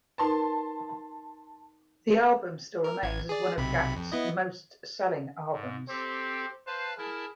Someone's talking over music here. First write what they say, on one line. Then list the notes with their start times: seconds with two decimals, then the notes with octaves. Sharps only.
The album still remains as one of Gackt's most selling albums.
0.18 D#4 A#4 B4 A5 C6
2.84 A#4
3.03 A1 G#6
3.29 G#4 D5
3.57 B1 C3 B5
3.96 F2
4.12 B3 E4 D#5
5.52 G#2
5.89 C4 G4 A4 C5
6.67 B4 C5 F5 A5
6.98 E4 G#4 A#4 A5